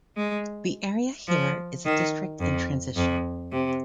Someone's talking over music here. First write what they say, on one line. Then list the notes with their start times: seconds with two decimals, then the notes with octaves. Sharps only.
The area here is a district in transition.
0.17 G#3
1.27 F3
1.85 D#3
2.39 F2
2.96 F2
3.52 C3